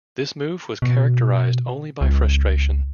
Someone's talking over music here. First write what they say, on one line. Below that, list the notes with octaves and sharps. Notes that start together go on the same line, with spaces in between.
This move was characterised only by frustration.
B2
C#2